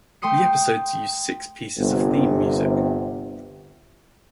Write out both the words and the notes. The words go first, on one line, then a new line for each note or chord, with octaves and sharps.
The episodes use six pieces of theme music.
A3 G5 C6 D#6 C#7
G1 C3